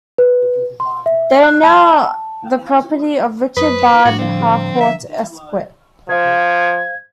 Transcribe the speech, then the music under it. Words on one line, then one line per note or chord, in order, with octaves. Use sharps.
They are now the property of Richard Bard Harcourt esq.
B4
C6
E5
F#6
A5
F#2 B4 C5 D#6
A2 F3 G3 D4 F#4
D3 F3 C4
E5
F3 C5 F5 G#6